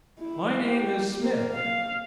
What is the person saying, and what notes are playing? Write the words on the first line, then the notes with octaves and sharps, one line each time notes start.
"My name is Smith."
E4
G4
A#3
F5